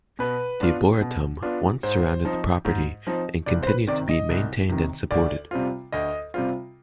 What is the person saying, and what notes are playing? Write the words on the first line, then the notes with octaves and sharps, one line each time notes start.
The arboretum once surrounded the property and continues to be maintained and supported.
B2 B4
B3 D4 F4
B2
B3 D4 F4
G#2 C5
F3 C4 D#4
G#2
F3 C4 D#4
C2 D5
C5
B4
C3 D#3 D5
D#5
C2
C3 D#3
D2 D5
C3 G3 C4 F4
D2 D#5
C3 G3 C4 F4